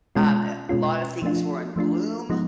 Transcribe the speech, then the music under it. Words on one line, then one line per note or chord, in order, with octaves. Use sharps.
Um, a lot of things were in bloom.
B2 G#3 C#4 F4
B2 G#3 C#4 F4
F3 A3 D4 F4
F3 A3 D4 F4
F3 G#3 B3 D#4